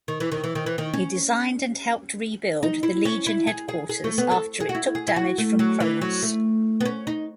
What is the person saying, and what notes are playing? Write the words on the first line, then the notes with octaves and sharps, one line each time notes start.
He designed and helped rebuild the Legion Headquarters after it took damage from Chronos.
D#3
E3
D#3
E3
D#3
E3
D#3
C#4
D#4
E4
C#4
E4
G#4
G#4
G#4
A3
B3
A4
G#4
F#4
E4
G#4
E4
F#4
A3
F#3
E3
F#3
A3
B3
C#4
D#4